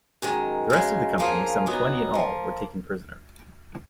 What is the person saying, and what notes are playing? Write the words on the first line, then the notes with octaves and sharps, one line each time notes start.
The rest of the company, some twenty in all, were taken prisoner.
F#2 D#3 G#3
F#2 C#3 G#3
C#3 F3 A#3 F4 G#4
A#2 F#3 B3 D#4
F3 A#3